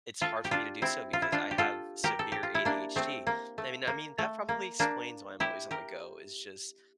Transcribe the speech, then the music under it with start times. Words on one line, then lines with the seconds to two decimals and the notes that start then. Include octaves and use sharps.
it's hard for me to do so because I have severe ADHD. And mean I mean, that probably explains why I'm always on the go; it's just
0.21 F4 A4
0.45 G4
0.51 D4 F4
0.82 C4 E4
1.13 F4
1.22 E4
1.32 D4 F4
1.51 G4
1.58 F4 A4
2.04 G4 A#4
2.19 A4
2.32 G4
2.43 F4
2.55 E4
2.65 A#3 D4
2.96 A3 C4
3.27 A#3
3.58 A3
3.87 A#3
4.18 A3
4.49 A#3
4.80 A#3 D4
5.40 E4 G4
5.71 G4 A#4